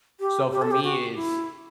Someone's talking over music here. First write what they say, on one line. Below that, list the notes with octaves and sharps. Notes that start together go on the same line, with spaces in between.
So for me, it's
G4
G4
A4
G4
F#4
E4